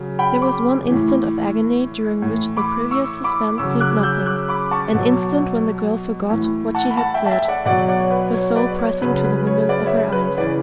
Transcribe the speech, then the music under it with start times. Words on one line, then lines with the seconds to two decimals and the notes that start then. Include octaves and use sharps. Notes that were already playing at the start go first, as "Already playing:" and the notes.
There was one instant of agony during which the previous suspense seemed nothing--an instant when the girl forgot what she had said, her soul pressing to the windows of her eyes.
Already playing: C#3 F#3
0.19 G5 B5
0.42 B5 D6
0.88 A2 E3
2.22 A2
2.27 E3
2.57 B5 D6
2.91 C#6 E6
3.24 B5 D6
3.58 C#3 F#3 C#6 E6
3.81 D6 F#6
4.03 E6 G6
4.26 D6 F#6
4.48 B5 D6
4.71 A5 C#6
4.94 B2 F#3
6.30 A2 E3
6.75 F#5 A5
6.91 B5
6.97 F#5 A5
7.14 E5 G5
7.26 A5
7.31 E5 G5
7.48 D5 F#5
7.65 B2 F#3 D5 F#5
7.88 D5 F#5
8.00 C#5
8.11 B4
8.34 C#5
8.56 B4 D5
8.79 C#5
9.01 C#3 F#3 B4
9.25 B4
9.47 C#5
9.69 B4 D5
9.86 C#5 E5
10.12 B4
10.21 C#5
10.37 C#3 E3 B4 D5